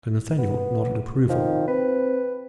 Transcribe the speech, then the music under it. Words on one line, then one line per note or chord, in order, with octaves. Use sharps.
Sir Nathaniel nodded approval.
B3
D#3 F3
C4 B4